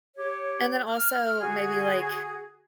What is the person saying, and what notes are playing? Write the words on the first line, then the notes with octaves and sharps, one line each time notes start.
and then, also maybe, like,
G4 C#5
F6
D3 F#4 G#4